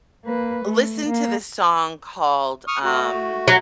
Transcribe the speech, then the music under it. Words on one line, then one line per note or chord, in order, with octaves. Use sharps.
listen to this song called, um,
A#3 B4
A3
A#3
C#6 D#6 F6
A3 F#4
F#3